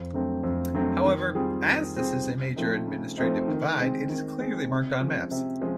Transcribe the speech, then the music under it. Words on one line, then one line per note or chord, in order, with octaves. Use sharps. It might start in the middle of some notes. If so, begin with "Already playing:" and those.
However, as this is a major administrative divide it is clearly marked on maps.
Already playing: F2
D3 F#3 A3 C4
F2
D3 F#3 A3 C4
D#3
G3 C4 F4 G#4
D#3
G3 C4 F4 G#4
C#3
F3 A3 C4 D#4
C#3
F3 A3 C4 D#4
D#3
G#3 C4
D#3
G#3 C4
C3
F3 G#3 C#4
C3
F3 G#3 C#4